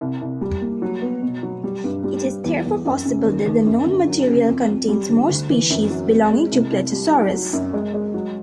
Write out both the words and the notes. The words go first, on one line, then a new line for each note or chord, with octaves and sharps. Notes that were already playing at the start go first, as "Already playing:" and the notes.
It is therefore possible that the known material contains more species belonging to "Plateosaurus".
C2
C2
G3
A#3
F#3
B3
B2
F#3
G3
G2
G3
G3
E2
E2
F#2
C#3
D#2
D#2
F#2
D3
F#3
C#3
F2
F2
G3
D3
D2
E3
F#2
F#3
C4
G#3
C2
C2
G3
D#4
F#3
F#2
G#3
G#3
F#3